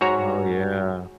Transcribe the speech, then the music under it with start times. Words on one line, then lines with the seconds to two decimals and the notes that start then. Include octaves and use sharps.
Oh, yeah.
0.01 G#2 F#4 C#5 A#5